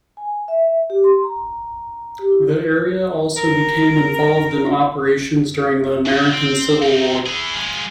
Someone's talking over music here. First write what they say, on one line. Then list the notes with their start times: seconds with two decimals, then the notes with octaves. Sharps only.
The area also became involved in operations during the American Civil War.
0.17 G#5
0.48 E5
0.90 G4
1.04 C6
1.24 A#5
2.19 G4
2.32 E4
3.37 A#4
6.07 F#4 D#5
6.33 C4
6.82 C4 D#4
7.26 E3 G#4
7.55 F3 G#3